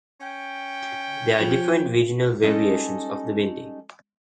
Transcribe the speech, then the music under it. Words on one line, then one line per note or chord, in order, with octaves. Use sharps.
There are different regional variations of the bindi.
C#4 G5
F3
G3 G#3 C#4 D#4 A4 D#5